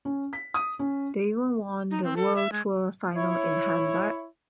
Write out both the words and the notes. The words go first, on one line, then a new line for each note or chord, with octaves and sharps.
They even won the World Tour Final in Hamburg.
C#4
B6
D#6
C#4
D#4
C4
A4
E5
G#3
E4 C#5